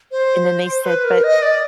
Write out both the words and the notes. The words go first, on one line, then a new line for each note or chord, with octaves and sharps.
and then they said, "But
C5
B4
A#4
D#5
D5